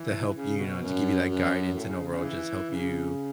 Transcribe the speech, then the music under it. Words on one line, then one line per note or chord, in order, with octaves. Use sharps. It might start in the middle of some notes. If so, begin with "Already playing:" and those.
to help you, you know, to give you that guidance and overall just help you,
Already playing: E3
C#3
B2
F#2
F#2
A2
C#3
C#3
E3
C#3